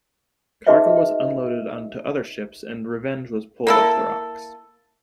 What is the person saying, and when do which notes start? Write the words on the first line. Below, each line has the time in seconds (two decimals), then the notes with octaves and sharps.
Cargo was unloaded onto other ships, and "Revenge" was pulled off the rocks.
0.67 D#4 F#4 G#4 B4 D#5 E5
3.67 A#3 E4 A4